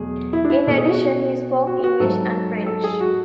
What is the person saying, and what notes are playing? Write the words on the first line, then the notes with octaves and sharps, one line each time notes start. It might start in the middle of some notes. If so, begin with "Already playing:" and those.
In addition, he spoke English and French.
Already playing: E2 B2 F#3 A3 G#4
E4
D4
E4
B2 A3 A4
G#4
F#4
F#4
F#4
G#2 F#3 A3 A4
A4
G#4
F#4